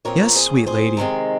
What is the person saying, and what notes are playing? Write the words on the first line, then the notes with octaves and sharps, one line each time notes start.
"Yes, sweet lady."
A#2 F3 C4 A#4 C#5
G#4 C5
C#5
G#4 C5
C3 D#3 G#3 C4